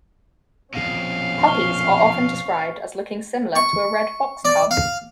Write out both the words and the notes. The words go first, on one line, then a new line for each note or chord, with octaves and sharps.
Puppies are often described as looking similar to a red fox cub.
A#1 F2 B2 C#4 F5
C#6 F6 G7
C#6
D5
F5